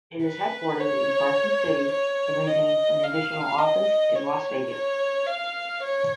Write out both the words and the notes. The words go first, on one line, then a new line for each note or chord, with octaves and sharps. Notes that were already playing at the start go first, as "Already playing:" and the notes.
It is headquartered in Carson City and maintains an additional office in Las Vegas.
B4
C#5
C#5
D#5
F5
D#5
C#5
C#5
F5
C#5